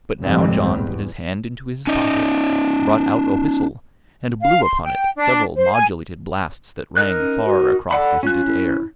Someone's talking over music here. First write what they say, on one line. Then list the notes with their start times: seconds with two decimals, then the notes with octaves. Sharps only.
But now John put his hand into his pocket, brought out a whistle, and blew upon it several modulated blasts that rang far across the heated air.
0.22 C2 F2 G#2 G3 G#3 C4
0.61 E2
1.87 C#4 D#4 D#5
4.41 F5
4.62 C6
4.84 G5
5.17 D4
5.56 C5
5.73 G#5
6.97 D#4 A#4 F#6
7.19 C#4
7.45 F#4
7.91 A4 D5 F#5 B5
8.23 C#4 F4 F#6
8.46 E4